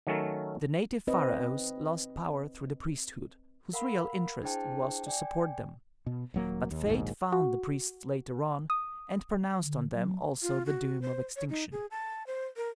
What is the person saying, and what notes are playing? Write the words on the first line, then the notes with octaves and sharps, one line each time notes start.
The native pharaohs lost power through the priesthood, whose real interest it was to support them; but fate found the priests later on, and pronounced on them also the doom of extinction.
D#3 F#3 A3 C#4 A4 A#4
C4 B4 D#5
A#4 F5 F#5 B5
D4 E4 G#4 C5 G5 A5
D5 G5 G#5
B2
D#1 F#3 A#3
D#2
A#1 D#2 G#2
F#4
D#6
D3
F#3
F4
F#4
C5
C#5
D#4
G#4
A5
C5
A#4